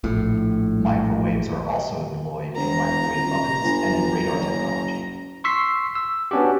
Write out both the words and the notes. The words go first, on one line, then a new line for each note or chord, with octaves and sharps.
Microwaves are also employed in microwave ovens and in radar technology.
A#1 A2
E1 A#5
D#1
G1
F#1
C6 C#6 E6 B6 C7
E6
B3 C#4 D4 F#4 G4